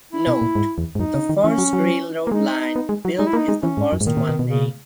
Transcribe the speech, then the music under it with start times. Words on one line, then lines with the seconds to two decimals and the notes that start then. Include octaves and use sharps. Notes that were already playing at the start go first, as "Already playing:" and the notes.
Note: The first railroad line built is the first one named.
0.13 E4
0.27 B2
0.42 A#2
0.55 G#2
0.78 E2
0.95 G#2
1.00 F#2 D#4
1.14 C#3
1.29 D#3
1.43 E3 C#4
1.58 F#3
1.73 F#3
2.27 A#3
2.31 G#3 D#4
2.76 B3
2.89 G#3
3.05 F#3
3.18 G#3 D#4
3.27 E4
3.33 A#3
3.36 D#4
3.48 G#3
3.62 E3 C#4
3.77 G#2
3.92 F#2
4.01 G#2
4.06 A#2 D#3
4.17 A#2
4.29 B2
4.39 B2
4.50 C#3